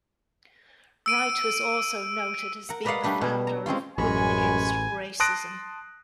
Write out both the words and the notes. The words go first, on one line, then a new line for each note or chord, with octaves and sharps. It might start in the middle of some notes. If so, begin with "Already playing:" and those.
Wright was also noted as being the founder of Women Against Racism.
E6 D7 D#7
A#4 F#5
A#4 B4 D5 D#5 F5 F#5
G3 A3 D4 B4
B2 G3
A#5
G#3 C4 C#4 F4
A1 F#2 G#3 G#5 B5 C#6
A5 C6 D#6 F#6 A#6 D7